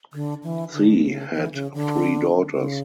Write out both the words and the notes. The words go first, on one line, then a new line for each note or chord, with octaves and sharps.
Tsi had three daughters.
D3
E3
D3
C#3
E3
C#3
D3
C#3